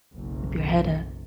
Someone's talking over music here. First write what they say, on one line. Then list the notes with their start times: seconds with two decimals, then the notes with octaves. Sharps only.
Keep your head up.
0.13 F#1 B1